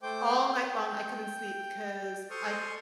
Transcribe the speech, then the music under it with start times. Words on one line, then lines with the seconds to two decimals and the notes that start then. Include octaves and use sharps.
All night long, I couldn't sleep because I c
0.02 A3 C5 G5 D6
0.49 G5
2.31 A4 C5 C6 C#6 D#6 F6